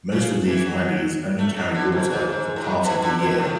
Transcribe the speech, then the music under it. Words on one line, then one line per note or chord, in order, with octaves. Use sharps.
Most of these wadis only carry water for part of the year.
C#3
E3
F#3
A3
F#3
D3
G#2
G#2
G#2
A2
B2
D3
B2
B2
A2